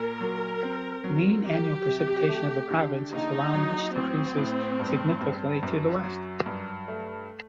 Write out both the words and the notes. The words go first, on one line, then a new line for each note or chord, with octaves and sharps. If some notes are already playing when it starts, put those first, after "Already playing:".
Mean annual precipitation of the province is around which decreases significantly to the west.
Already playing: A#2 A#4
F#3
C4
F#3
F#3 G4
C3
A3
D3
A#1 D#4
F#3
A1 C4
A2
G2
G2
F#2
F#3
G2
A3